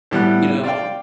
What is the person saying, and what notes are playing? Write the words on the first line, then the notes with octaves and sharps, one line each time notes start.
you know?
A2 G3 B3 F#6
D5 F5 G5